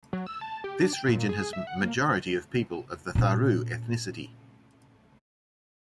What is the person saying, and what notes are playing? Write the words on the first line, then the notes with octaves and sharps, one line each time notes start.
This region has majority of people of the Tharu ethnicity.
F#3
E6
A5
G4
D4
G5
A#2
G#4
E5
F#5
A#3
A#2 C#4